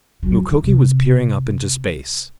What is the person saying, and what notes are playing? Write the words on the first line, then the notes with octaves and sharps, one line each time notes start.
Mukoki was peering up into space.
F#3
E3
C3